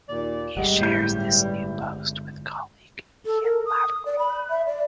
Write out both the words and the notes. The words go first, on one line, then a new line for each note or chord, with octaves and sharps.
He shares this new post with colleague Ian Lavery.
D#2 A#2 D5
G1 G3 G#3 D#5 F#5
A1 E4 G6
A4
A#4
D#6
D5
B5
E5
D5